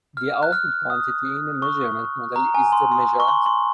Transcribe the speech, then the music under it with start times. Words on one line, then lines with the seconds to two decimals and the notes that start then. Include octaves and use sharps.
The output quantity in a measurement model is the measurand.
0.17 F6
0.43 F#6
0.52 F6
0.90 D#6
1.62 C#6
2.36 A#5
2.54 G#5
2.72 C6
2.92 C6
3.09 C6
3.20 C#6
3.28 C6
3.46 C6